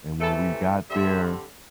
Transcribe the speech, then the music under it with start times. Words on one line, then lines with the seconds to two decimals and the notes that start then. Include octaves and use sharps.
And when we got there,
0.20 C3 E3 A3 A4
0.90 D3 G3 C4 E5